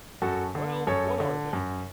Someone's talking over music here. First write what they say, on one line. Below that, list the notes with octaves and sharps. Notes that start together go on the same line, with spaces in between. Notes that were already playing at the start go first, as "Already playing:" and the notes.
"Well, what are they?"
F#2 F#4 A4
D3
F#2 A4 C#5
D3
F#2